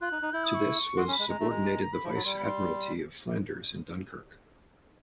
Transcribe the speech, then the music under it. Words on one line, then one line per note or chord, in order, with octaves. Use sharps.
To this was subordinated the Vice-Admiralty of Flanders in Dunkirk.
F4 F#6
D#4
D#4
E4 G6
D#6
C#6
F#4 C6
C#4
B5
G#3
G#3 A#5
A3
G#3
B5
F3
B5
F#3
G3 C6
B5
C6